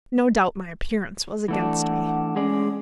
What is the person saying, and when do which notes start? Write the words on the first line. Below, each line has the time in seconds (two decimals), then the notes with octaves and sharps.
No doubt my appearance was against me.
1.48 E3 A3 D4 F#5
2.36 G#3 C#4 G#4 D5